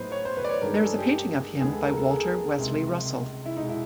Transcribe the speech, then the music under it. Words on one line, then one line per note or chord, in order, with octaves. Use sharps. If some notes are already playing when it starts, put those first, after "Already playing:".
There is a painting of him by Walter Westley Russell.
Already playing: A2 F#3 B3 D#4 B4 C5
C#5
C5
B4
D5
C#5
G2 D#3 G#3 A#4
A4
G#4
G4
D#2 D#3 G#3 B3 G#4
A4
A#4
A4
G#4
C#2 C3 D#3
E4
B2 G#3 D#4
E4